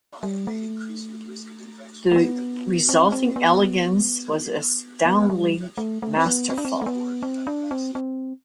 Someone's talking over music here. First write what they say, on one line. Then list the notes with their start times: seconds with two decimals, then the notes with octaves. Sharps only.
The resulting elegance was astoundingly masterful.
0.23 G3
0.47 A3
2.11 A3
2.16 B3
2.89 C4
3.12 C4
3.36 B3
5.05 B3
5.30 G3
5.77 A3
6.02 A3
6.17 C4
6.26 B3
6.50 C4
6.58 D4
6.65 C4
6.81 A3
6.86 B3
7.23 C4
7.47 D4
7.71 C4
7.95 C4